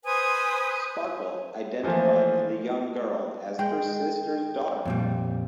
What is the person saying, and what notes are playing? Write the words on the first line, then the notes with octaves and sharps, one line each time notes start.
Sparkle identified the young girl as her sister's daughter.
B4 C5 G#5 D#6
E3 F3 A3 A#3 C5
G#3 G5
F2 A#2 G3